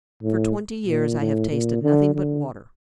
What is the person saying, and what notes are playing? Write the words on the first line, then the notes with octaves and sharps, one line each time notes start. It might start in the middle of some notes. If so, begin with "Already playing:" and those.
"For twenty years I have tasted nothing but water."
A2
A#2
A2
A#2
D3
D3